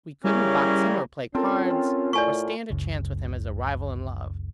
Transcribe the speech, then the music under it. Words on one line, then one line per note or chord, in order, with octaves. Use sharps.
We couldn't box him or play cards, or stand a chance with him as a rival in love.
C#3 G3 A#3 C#4 E4
C4 C#4 F4 A4 A#4
F4 G5
A2 D5 G#5 C#6
F#1 C#2